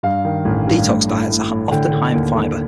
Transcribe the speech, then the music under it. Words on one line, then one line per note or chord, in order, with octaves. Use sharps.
Detox diets are often high in fiber.
G2 F5
D#3
A1
G2
A2
A2
A2
A2
D3 G5
D3
D#2
D3